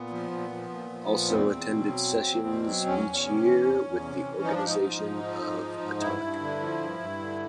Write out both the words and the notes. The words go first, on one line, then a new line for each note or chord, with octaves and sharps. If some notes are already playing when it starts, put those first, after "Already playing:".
Also attended sessions each year with the organization of Atomic.
Already playing: A#2 B3
F3
A#2
F3
A#2
F3
A#2
E2 C4
E2
B2
F#3
E2
E2
B2
F#3
E2 C#4
E2
C3
E3
E2
E2
C3
E3
F3 D#4
D4
G#2 D#4
F3
G#2
F3
G#2
F3
G#2
G2 E4
G2
D3
F3
G2
G2
D3